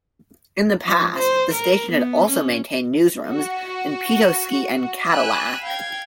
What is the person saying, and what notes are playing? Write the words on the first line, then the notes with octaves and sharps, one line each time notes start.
In the past, the station had also maintained newsrooms in Petoskey and Cadillac.
F3
C5
A#4
B3
C#4
F#4
G5 G#5 B5 E6 F#6
F5 G5 G#6